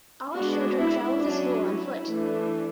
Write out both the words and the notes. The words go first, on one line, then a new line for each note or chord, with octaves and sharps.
All children travel to school on foot.
G#3 B3 D4 F#4
E4
F#3 C#4 D4
E4
E3 A3 D4